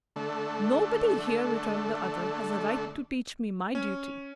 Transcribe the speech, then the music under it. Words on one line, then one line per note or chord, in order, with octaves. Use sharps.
"Nobody here," returned the other, "has a right to teach me my duty."
D3 A3
C#4